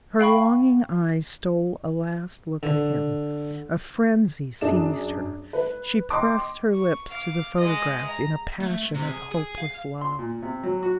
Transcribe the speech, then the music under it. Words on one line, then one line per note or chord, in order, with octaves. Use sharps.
Her longing eyes stole a last look at him--a frenzy seized her--she pressed her lips to the photograph in a passion of hopeless love.
F5 G5 B5 C#6
D3
F#2 D4 G#4 E7
B4
D#5 G5 C6 D6
C#6
F5 D6
G#3 D#5
A#5
A3
C3
G#4
G#4
F5
C6
A#2
C3
F#3
F#4